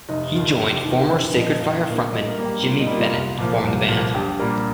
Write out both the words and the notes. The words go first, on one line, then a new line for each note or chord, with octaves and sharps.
He joined former Sacred Fire frontman, Jimi Bennett to form the band.
F1 D#4
D#2 D#3 F4
F1 G4
G4
D#2 D#3
A#4
A#1 C5
A#2 F3 A#3 D#5
A#1 F5
A#2 F3 A#3 F5
G2 D#5
A#4
G3 A#3
G4
G2 F4
D#4
G3 A#3
F4
C2
A#2 F3 A#3
C2
A#2 F3 A#3
A#1 G4
A#2 G3 A#3 A#4